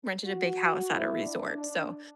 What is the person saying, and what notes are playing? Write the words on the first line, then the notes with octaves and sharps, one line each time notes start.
rented a big house at a resort. So,
F#4
E4
D4
D4